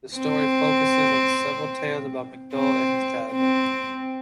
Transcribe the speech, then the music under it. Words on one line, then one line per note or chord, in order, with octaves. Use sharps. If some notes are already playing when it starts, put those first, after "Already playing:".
The story focuses on several tales about McDull and his childhood.
C4
C4
C4